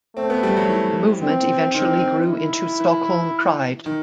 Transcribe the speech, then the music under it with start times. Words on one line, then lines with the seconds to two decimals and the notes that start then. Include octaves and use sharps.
The movement eventually grew into Stockholm Pride.
0.16 A3 C4
0.30 B3
0.43 G3
0.57 F#3
0.69 E3
1.21 C4
1.74 D#3 C4
2.27 E4
2.80 E3
3.86 D#3